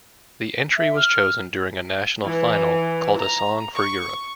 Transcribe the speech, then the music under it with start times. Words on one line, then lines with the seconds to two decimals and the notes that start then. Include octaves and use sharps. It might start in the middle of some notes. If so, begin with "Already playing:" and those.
The entry was chosen during a national final called A Song for Europe.
0.78 E5
0.97 F6
2.24 E3
3.18 A#5
3.74 C#6